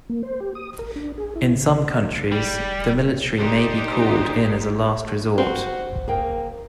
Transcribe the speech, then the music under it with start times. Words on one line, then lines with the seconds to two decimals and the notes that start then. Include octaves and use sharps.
In some countries, the military may be called in as a last resort.
0.10 A#3
0.23 C5
0.40 G4
0.55 D#6
0.79 A#4
0.96 D4
1.18 G#4
1.35 E4
1.55 C#3
1.88 D#5
2.32 G3
3.38 D4 D#4 G4 C5
5.38 C4 F#4
6.08 A#3 G#4 A#4 G5